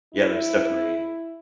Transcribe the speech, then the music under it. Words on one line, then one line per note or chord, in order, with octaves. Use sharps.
Yeah, there's definitely
E4